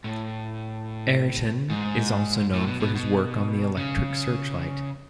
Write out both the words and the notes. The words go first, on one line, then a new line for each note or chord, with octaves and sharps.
Ayrton is also known for his work on the electric searchlight.
A2
G#2
A2
B2
B2
B2
C#3